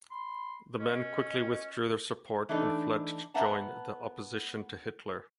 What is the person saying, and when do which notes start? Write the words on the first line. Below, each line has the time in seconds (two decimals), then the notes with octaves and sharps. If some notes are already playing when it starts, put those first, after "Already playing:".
The men quickly withdrew their support and fled to join the opposition to Hitler.
0.11 B5 C6
0.80 C#4 D#5
2.49 E3 A3 D4 D#4 A4
3.34 B3 E5 F#5 A5 A#5